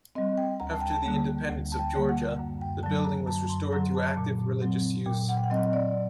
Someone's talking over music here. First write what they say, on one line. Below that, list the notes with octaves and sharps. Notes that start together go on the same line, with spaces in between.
After the independence of Georgia, the building was restored to active religious use.
G3 C4 D#5
G5
D2 A#5
A5
G5
A5
D3 G3 A#3
D2
A5
G5
D3 G3 A#3
F#5
F#2
G5
D3 F#3 A5
A#5
F#2 A5
C6
D3 F#3 A#5
A5
A#2
F#3 C4
A#2 G5
F#5
G5
F#5
F#3 C4 D#5
D5